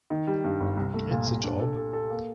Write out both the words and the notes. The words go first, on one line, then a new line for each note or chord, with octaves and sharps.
It's a job.
D#3
G3
G2
G1
C2
A3
A#2
A#2
D4
A4
A4
A4
A#3